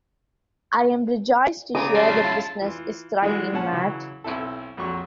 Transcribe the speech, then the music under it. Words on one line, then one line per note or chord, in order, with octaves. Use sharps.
I am rejoiced to hear the business is thriving, Mat.
C#3 A#5 D6 D#6
G3 A5 C6
A2 F#3
E4 F4
E3 F4
E3 G3 G#3 F4 F#4 G#4
A#2 C#4 F#5 A5
C#3 E3 F#3
B1 C4 E4 A4
A#1 F2 F#3 C#6